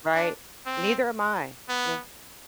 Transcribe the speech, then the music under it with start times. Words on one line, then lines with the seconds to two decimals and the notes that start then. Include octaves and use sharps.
Right. Neither am I. Yeah.
0.14 D4
0.66 C4
1.69 B3